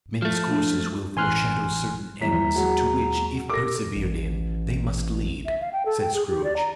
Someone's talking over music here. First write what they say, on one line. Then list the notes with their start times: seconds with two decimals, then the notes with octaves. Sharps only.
"Men's courses will foreshadow certain ends, to which, if persevered in, they must lead," said Scrooge.
0.22 F3 A3
0.49 D4
1.16 A1 G#5 C6 F6 F#6
2.21 G1 D#2 E3 A#5 B6
2.56 F#3 G#3
3.49 G4 A4 A#4 D6 A#6
3.96 A1
5.45 E5
5.61 F5
5.73 G5
5.85 A4
6.01 G5
6.14 G#4
6.28 G4
6.44 D5
6.57 A#5